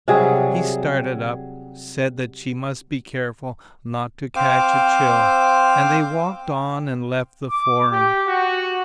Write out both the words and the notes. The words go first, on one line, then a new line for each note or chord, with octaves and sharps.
He started up, said that she must be careful not to catch a chill; and they walked on and left the Forum.
C3 F#3 G3 G#4
C4 C5 F5 D6
D6
G4
F#4